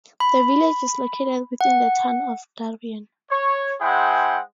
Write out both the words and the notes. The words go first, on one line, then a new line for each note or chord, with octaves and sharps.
The village is located within the Town of Darien.
B5
F#5
C#5
G#3 E4 G#4 C5 F#5 G5